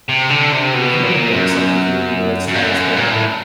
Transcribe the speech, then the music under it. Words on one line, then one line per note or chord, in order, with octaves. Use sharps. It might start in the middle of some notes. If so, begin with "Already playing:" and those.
Reviewing it is like reviewing the world's tallest building.
C3
D3
C3
B2
A#2
F#2
F#2
G2
F#2
A#2
A2